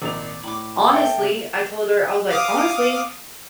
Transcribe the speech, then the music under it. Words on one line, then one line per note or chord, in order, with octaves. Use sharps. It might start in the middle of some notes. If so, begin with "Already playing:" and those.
honestly, I told her, I was like, "Honestly,
G#1 A#2 D5 F7
A2 B5 D6
A4 E5 G5
C3
F5 D6 D#6